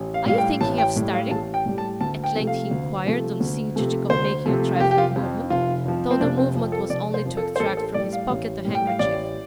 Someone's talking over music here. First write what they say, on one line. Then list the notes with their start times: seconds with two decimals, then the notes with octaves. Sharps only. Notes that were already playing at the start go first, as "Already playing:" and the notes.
"Are you thinking of starting?" at length he inquired, on seeing Chichikov making a trifling movement, though the movement was only to extract from his pocket a handkerchief.
Already playing: A1
0.14 F5
0.26 A2 G3 F5
0.38 G5
0.61 A1 A5
0.78 G5
0.96 A2 G3
1.13 F5
1.31 A1 A5
1.54 G5
1.66 A2 G3
1.78 A5
2.01 D2 A5
2.24 G5
2.35 C3 F3 A3
2.47 F5
2.71 D2
3.05 C3 F3 A3
3.40 D2
3.76 C3 F3 A3
4.10 D2 C5
4.46 C3 F3 A3
4.75 F4
4.80 F1 G4
4.91 G4
4.98 F4
5.16 F2 F3
5.50 F1 F4
5.85 F2 F3
6.11 C4
6.20 F1 D4
6.37 C4
6.55 F2 F3
6.72 A4
6.90 F1 D5
7.14 C5
7.25 F2 F3
7.37 A4
7.56 C5
7.60 A1 A4
7.77 A4
7.94 A2 G3 D5
8.13 F5
8.30 A1
8.65 A2 G3
8.75 G5
8.87 F5
8.99 A1 D5